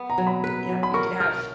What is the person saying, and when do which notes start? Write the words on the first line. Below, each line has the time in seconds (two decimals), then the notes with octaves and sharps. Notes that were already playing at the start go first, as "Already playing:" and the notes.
yep, you could have
Already playing: B3
0.10 A#5
0.18 F#3
0.27 B5
0.44 B4
0.69 F#3
0.83 B5
0.94 A#4 C#6
1.20 A#4 F6